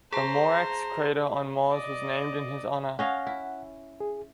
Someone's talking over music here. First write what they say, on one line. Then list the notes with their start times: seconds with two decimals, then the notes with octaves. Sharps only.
The Moreux crater on Mars was named in his honor.
0.13 G#4 C5 A5 A#5
1.71 D5 D#5
2.99 C#4 D#5 F5 F#5
3.27 E4
4.00 G#4